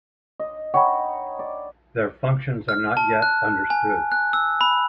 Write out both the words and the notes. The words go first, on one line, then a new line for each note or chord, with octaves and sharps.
Their functions are not yet understood.
D#5
D#4 C#5 F#5 G5 B5
D5
F6
A5
F#6
G#5
F#6
E6
B5